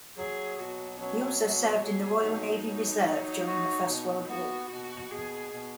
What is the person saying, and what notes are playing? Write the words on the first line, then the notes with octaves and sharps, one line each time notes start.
He also served in the Royal Navy Reserve during the First World War.
F#3 G#4
B2 F#4
F#3 C#4
B2 F#4
F#3 G#4
B2 D#4
F#3
F#3
F#4
B2
B3 F#4
B2 F#4
B2 G#4
B2